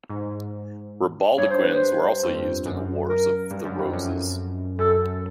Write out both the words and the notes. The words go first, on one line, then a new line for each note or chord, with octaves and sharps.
Ribauldequins were also used in the Wars of the Roses.
G#2
G2 C#5
C5
B4
C5
F2
F#2
A#4
G2
F#2
F2
F#2
F#2 A4